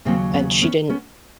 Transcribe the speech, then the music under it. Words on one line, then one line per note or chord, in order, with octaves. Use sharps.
and she didn't
D#2 C#3 F#3 A#3 C4
B3 C#4
B3 C#4
B3 C#4